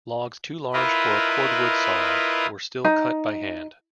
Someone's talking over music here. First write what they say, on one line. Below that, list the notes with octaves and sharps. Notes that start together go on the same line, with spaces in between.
Logs too large for a cordwood saw were still cut by hand.
E4 F4 A#4 B4 D#5
D#4